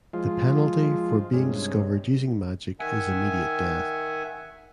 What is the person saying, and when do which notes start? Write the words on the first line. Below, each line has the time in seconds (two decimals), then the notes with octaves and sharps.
The penalty for being discovered using magic is immediate death.
0.13 F3 G#3 F4
1.33 G2 C3 G#3 C#4
2.80 D#3 E5 F#5 G#5